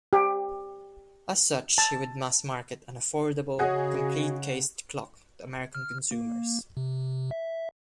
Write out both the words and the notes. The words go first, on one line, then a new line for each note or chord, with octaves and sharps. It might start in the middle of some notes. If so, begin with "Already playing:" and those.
As such he would mass market an affordable, complete cased-clock to American consumers.
G4
A5
C#3 F#4 G#4 C#5 D#5 F#5
F6
A#3
C3
E5